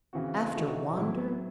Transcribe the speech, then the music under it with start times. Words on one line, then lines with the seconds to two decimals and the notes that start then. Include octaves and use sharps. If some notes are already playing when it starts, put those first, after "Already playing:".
After Wander?
0.13 C#3 E3 C4 F#4
0.54 E3 A3 D#4 F#4
0.96 A2 F#3 C4 E4